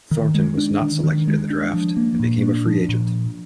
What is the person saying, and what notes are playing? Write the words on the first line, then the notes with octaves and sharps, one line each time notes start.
Thornton was not selected in the draft and became a free agent.
D#3
G#3
D4
D#3
D#3
G#3
D4
F3
A#3
A#2
D4
F3
A#2